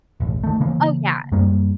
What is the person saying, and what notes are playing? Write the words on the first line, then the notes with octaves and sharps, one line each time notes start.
oh, yeah,
E1 A1
D#3 A3
C#3 E3 A#3
F#2 G3 A#3